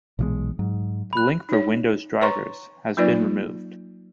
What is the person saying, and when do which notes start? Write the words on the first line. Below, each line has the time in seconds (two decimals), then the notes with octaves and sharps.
The link for Windows drivers has been removed.
0.19 B1 A#2 E3 F3 G#3 B3
0.59 G#2 F#3
1.13 B5 F#6
1.49 D#4 C#5
2.21 B4 C#5 A#5 C6 C#6
2.97 F#3 A#3 D#4 F4 B4 D5